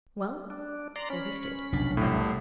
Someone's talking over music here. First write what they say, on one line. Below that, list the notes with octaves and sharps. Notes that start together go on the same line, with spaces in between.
Well, there he stood.
D4
D5 A#5 C6
C#4 B5
F1 B1 D4
C2 A2